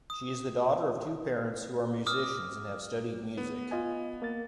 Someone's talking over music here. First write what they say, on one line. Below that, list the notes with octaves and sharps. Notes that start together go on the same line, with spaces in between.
She is the daughter of two parents who are musicians and have studied music.
D#6
D6 D#6 F6
B3
F4 D#5 G#5
A#3 A#4 A6